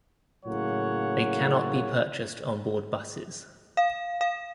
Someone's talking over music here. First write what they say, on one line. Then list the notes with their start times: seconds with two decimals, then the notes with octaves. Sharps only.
They cannot be purchased on board buses.
0.45 A2 C#3 F#3 A#3 C#5 F#5
3.77 F5
4.21 F5